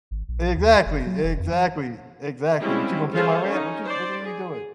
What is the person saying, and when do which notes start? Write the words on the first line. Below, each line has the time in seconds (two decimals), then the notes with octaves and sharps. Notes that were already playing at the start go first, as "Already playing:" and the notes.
Exactly. Exactly. Exactly, "What you gonna pay my rent? What you j what w what are you doing?"
0.11 G#1
0.28 A#1
0.57 D#2
0.86 F#1
1.06 F#3
1.24 E1
1.39 F2
1.52 F3
2.58 G3 G#3 C4 C#4 E4 F4
3.12 F4 G#4 A4 C5 C#5 F5
3.46 C#4 D#4
3.85 C5 D5
4.24 G#4